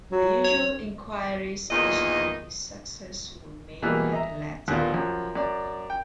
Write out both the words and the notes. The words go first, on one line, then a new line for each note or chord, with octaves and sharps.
The usual inquiries as to his success were made by the latter.
F#3
C#5
E2 A#2 D#3 D#4 D#5
B2 E3 G3 G#3 A#3 B3
D#5 E5 A#5
D#2 A#2 D3 B3 F4
F#2 F3
F#2 D5
G5